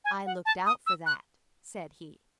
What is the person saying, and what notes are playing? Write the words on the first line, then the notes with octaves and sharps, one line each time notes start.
"I looked out for that," said he.
G#5
F#5
A5
D#6
E6
F#6